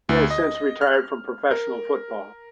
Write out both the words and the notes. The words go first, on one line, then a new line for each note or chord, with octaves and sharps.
He has since retired from professional football.
D2
D#5
F6
A#4